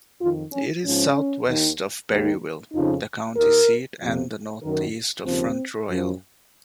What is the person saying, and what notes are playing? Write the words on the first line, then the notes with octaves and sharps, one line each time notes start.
It is southwest of Berryville, the county seat and northeast of Front Royal.
F2 D#3 F4
C#4
G#2 F3 C#4
D#2 D#3
D#2 D#3
F2 C#3 F3 D#4
D#2 D#3 A#4
F2 C3 F3
F#2 D#3 A#4
D#2 C#3 F3 C4
F#2 F3